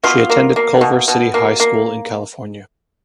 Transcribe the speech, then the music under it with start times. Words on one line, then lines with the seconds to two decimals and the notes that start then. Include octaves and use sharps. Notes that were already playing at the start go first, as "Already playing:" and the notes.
She attended Culver City High School in California.
0.03 B2 F4
0.30 A#3
0.56 A#3
0.81 B2
1.08 B2
1.34 A#3
1.60 A#3